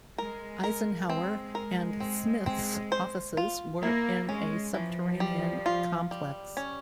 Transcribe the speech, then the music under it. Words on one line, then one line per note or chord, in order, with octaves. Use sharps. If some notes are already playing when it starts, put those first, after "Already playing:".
Eisenhower and Smith's offices were in a subterranean complex.
G#3 A#4
A#4
G#3 C4
A#4
C4
C4
C5
F4
A#3 E4
G#3 C#4
E3 F3
G3
F4
G3
C#4